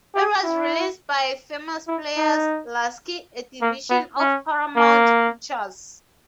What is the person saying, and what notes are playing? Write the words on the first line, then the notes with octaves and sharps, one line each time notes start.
It was released by Famous Players-Lasky, a division of Paramount Pictures.
G4
E4
E4
D#4
A#3
B3
C#4
A#3